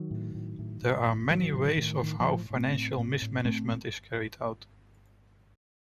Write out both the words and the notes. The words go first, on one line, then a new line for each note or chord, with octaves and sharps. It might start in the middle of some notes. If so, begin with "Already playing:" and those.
There are many ways of how financial mismanagement is carried out.
Already playing: D#3 F#3
A2
A2
A2
A2
A2
A2 D#3 F#3
A2
D#3
A2
A2 D#3
F3
A2
A2
A3 C4
A2
A2
A2
A2 A3 C4